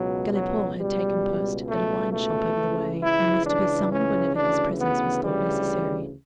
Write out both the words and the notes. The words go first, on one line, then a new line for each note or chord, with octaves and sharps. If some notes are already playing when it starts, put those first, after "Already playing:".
Galipaud had taken post at a wine-shop over the way, and was to be summoned whenever his presence was thought necessary.
Already playing: C#2 B2 F#3
F#3
C#2 B2 G3
A3
A3
C#2 C#3 E3
E4
D4
C#4
D2 C#3 E3 D4
B3
G3